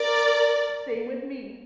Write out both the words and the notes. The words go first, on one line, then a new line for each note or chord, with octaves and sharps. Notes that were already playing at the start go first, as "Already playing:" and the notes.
Same with me.
Already playing: A#4 D5